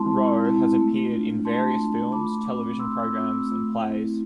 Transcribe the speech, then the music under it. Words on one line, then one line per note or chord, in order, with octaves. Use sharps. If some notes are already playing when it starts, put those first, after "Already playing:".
Rowe has appeared in various films, television programmes and plays.
Already playing: G#3 C4 E4 A5 C6
G#3
C4 E4
A3
D4 F4
A3 A5 C6
D4 F4
A3 B5 D6
C4 F4 B5 D6
A3 C6 E6
C4 F4
A3
C4 E4